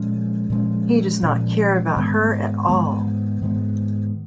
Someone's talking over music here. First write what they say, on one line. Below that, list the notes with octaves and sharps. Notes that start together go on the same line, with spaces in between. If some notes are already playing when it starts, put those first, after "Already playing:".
He does not care about her at all.
Already playing: A#2 F3 G#3 C#4
A#2 F3 G#3 C#4
A#2 F3 G#3 C#4
G#2 D#3 G#3 B3
G#2 D#3 G#3 B3
G#2 D#3 G#3 B3